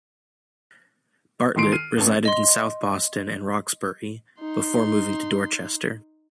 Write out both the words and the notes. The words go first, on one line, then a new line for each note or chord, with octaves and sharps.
Bartlett resided in South Boston and Roxbury before moving to Dorchester.
D#3 A4 C6 C7 D7
F6 C7 D#7
A1 A3
D#5 C6
D#4 C6